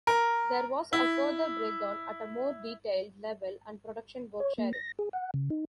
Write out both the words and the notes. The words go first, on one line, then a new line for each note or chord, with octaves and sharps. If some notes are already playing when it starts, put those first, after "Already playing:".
There was a further breakdown at a more detailed level and production worksharing.
A#4
E4
C#5
A#3
A#6
G#4
F#5
C#3
D#4